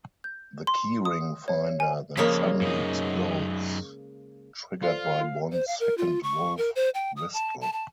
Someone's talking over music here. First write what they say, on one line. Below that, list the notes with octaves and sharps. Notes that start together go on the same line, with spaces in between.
The key-ring finder then suddenly explodes, triggered by Bond's second wolf whistle.
G6
C6
D#6
C#5
G#5
F2 C#3 G#3 A#3
F#2 D#4
F4 A4 C5 D5 F5
C5
F5
A#4
F4
C#6
A#4
C5
G5
D#6
A5
A5
A5